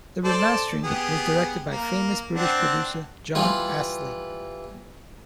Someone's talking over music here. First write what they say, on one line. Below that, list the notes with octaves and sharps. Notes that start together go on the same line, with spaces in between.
The remastering was directed by famous British producer Jon Astley.
A4 C5 D5
B3 G4 G#4
A#3
C4 D4 F#5
E3 G3 F4